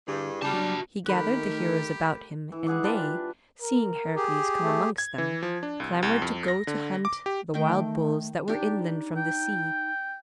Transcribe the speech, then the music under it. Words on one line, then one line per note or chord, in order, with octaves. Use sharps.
He gathered the heroes about him, and they, seeing Heracles come amongst them, clamored to go to hunt the wild bulls that were inland from the sea.
G2 D3 E4 G4 G#4
C#3 G3 F#4 A5
F#3 C#4 D4 F4
D#3 A3 G4 A#4 B5 F#6
E3
G#3 G#4 F#5 D6
D4 F4 G4 B4
A#4
G4 G#4
A3
G#6
E3
F3
D4
C2
C2
F2
A#6
D3
D6
G4
D#3 A3 G5
D4 D#4 G4
G5